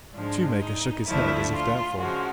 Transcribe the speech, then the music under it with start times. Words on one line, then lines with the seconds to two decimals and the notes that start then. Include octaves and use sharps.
The shoemaker shook his head as if doubtful.
0.14 G#2 F3 G#3 D4
0.60 D#4
1.07 D2 D3 F3 A3 E4
1.55 F4
2.01 C#3 F3 G#3 F#4